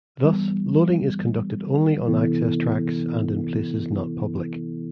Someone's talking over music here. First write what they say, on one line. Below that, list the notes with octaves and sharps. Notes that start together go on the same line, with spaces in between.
Thus loading is conducted only on access tracks and in places not public.
E3 G3 B3
C3 E3 B3 E4 A4